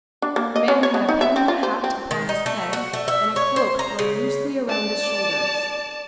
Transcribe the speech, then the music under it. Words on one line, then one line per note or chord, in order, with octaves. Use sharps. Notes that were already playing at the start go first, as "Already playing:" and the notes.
The man had a Panama hat upon his head, and a cloak thrown loosely around his shoulders.
D4
A#3
D#5
C#4
C#5
B3
D#4
E5
C4
F4
C5
C4
D#3
D#4
A3
F#4
A3
E5
C#5
C5
A#5
C#3
D5 A5